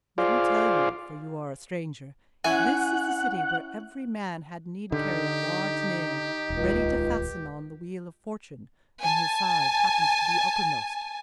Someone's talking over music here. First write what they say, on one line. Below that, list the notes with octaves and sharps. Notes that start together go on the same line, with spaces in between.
Let me tell you--for you are a stranger--this is a city where every man had need carry a large nail ready to fasten on the wheel of Fortune when his side happens to be uppermost.
F4 G#4 C5 D5 F5
C#4 E4 E5 F#5 G#5
D3 D#4 G4
D#1 C#2
G#5 A5